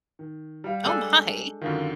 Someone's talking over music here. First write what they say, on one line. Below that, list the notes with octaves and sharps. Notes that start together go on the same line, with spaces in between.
Oh my!
D#3
G3 F5
G#3 D4 A4 G6
F#2 D3 D#3 F4